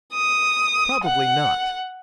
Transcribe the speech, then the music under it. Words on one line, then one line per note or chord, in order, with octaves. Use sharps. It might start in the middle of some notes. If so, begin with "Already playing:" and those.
Probably not.
D#6
F#5